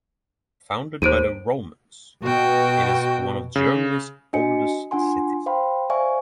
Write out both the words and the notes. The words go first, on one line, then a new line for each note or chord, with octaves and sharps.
Founded by the Romans, it is one of Germany's oldest cities.
D#2 C5 D7 D#7
B2 F#4 G5
C#3
D4 F#4 D#5 G#5 C#7
D4 F4 F#5 G#5 C6
C5 F5 G5 B5 C6
C5 D5 E5 F5 G#5 C#6